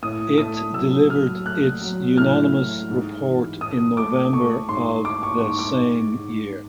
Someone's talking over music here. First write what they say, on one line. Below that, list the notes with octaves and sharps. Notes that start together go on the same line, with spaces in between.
It delivered its unanimous report in November of the same year.
A2 D#6
A3 D#6
F#3 E6
F#3 F6
A3 F#6
F#3
A2 F6
A2
G#2
E3
G#2 D#6
A3 D6
A3 C#6
G#2 C6
G#2 D6
C#6
G#2 C#6
D6
G#2
G#2